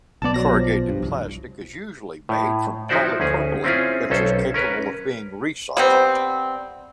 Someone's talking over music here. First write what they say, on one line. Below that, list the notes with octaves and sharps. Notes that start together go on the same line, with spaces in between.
Corrugated plastic is usually made from polypropylene which is capable of being recycled.
B1 B3 D5 A5
F#3 A#6
F3
G2
C2
A2
F3 D#4 E4 F#4 C5 D5
D2 C#4 G#4
C4 C#4 E4 F4 G#4
B1 C#4 A4 C5
C#4 A#4 B4
G3 B3 C4